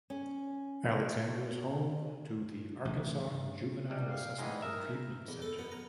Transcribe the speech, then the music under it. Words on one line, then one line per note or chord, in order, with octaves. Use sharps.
Alexander is home to the Arkansas Juvenile Assessment and Treatment Center.
C#4
A1
G2
G3 G#3
F5
G#2 E3 G3 G#4 D#5
A#4 E5 A#5
E2
A4
B3
A#5